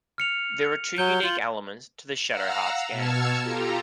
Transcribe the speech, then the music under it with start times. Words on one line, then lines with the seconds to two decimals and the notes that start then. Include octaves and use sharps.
There are two unique elements to the "Shadow Hearts" games.
0.18 F6 C#7 F7
0.98 F#3 G6 G7
1.23 F4 F#7
2.30 F5 F#5 A#5 E6 F6
2.91 B2 A5 E6 F6 G#6 C#7
3.41 F4 G4 A4 A#5